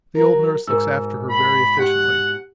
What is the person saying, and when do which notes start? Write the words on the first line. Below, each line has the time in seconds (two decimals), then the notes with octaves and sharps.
The old nurse looks after her very efficiently.
0.15 F#3 A#4
0.67 G#2 B2 A#4 E6
1.30 B5
1.79 G4 F#5 F#6